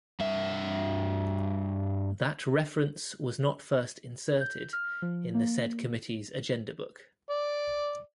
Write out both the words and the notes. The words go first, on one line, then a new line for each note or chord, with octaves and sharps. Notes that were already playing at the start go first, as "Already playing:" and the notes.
That reference was not first inserted in the said committee's agenda book.
G2 E5
G6
F6
F3
A#3
D5